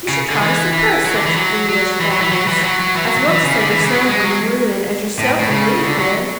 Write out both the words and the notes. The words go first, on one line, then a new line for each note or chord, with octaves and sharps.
'You should try to suppress such foolish fondness, as well to save your son from ruin as yourself from ridicule.'
C#3
D3
E3
E3
F#3
D3
E3
F#3
F#3
E3
F#3
E3
F#3
E3
F#3
F#3
E3
F#3
F#3
E3
C#3
D3
E3
C#3
F#3
G#3
F#3
A2
A2
C#3
D3
F#3